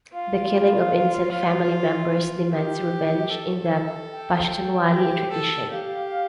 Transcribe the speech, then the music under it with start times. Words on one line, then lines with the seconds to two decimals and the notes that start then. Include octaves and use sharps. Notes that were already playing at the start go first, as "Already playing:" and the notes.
The killing of innocent family members demands revenge in the Pashtunwali tradition.
0.14 F4 F5
2.53 G4
3.32 A4
4.12 G5
4.91 G4
5.31 A4
5.71 G4 F5